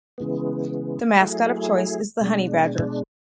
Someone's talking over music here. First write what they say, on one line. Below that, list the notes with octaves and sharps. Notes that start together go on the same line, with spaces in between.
The mascot of choice is the Honey Badger.
C#3 E3 G#3 B3
F#3 A3 E4 G#4
B2 G#3 D4